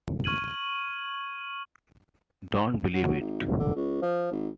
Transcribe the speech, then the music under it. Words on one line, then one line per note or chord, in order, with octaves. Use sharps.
Don't believe it.
C#6 F6 G#6 D#7 F#7
F#3
G#1
D3
C#2
F3
G#1